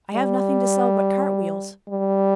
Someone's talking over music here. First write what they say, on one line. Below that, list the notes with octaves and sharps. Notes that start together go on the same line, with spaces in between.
I have nothing to sell but cart-wheels.
G3
G3